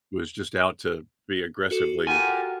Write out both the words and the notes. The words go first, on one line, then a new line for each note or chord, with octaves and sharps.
was just out to be aggressively
F#4 A4
F4 G4 A#4 F#5 G#5